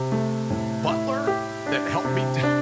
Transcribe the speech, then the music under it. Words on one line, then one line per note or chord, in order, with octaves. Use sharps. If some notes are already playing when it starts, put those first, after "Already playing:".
butler that helped me down
Already playing: C3
A3
A2
E4
G4
D4
C3
D4